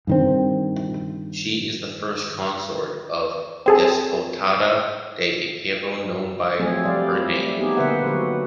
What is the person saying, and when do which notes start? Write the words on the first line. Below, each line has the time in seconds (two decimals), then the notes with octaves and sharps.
She is the first consort of Despotado de Epiro known by her name.
0.07 G2 D#3 C4
3.66 C4 G#4 A4
6.59 F3 F#3 A3 C4 G#4 A4
6.85 G3 C5 D5 F5
7.40 A3
7.58 B3 D#4 G4 G#4
7.77 D3 A#3 B4 C5 E5 F#5
8.07 F#3 F#4 B4